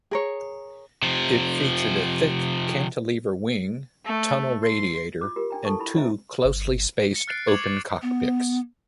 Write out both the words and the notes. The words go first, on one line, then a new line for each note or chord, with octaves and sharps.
It featured a thick cantilever wing, tunnel radiator and two closely spaced open cockpits.
G#4 A#4 C#5
C3 F3
A3
C6
F4 D6
F4 G4 A#4
D4 G5 A#5
F4 A4 A5 C#6
E4 B5
C#4 F4 C5 D#5 E5 A#5
G1
C#7
F6 F#6 A6 C7 D7
C#6 D6 G#6 F#7
A6
B3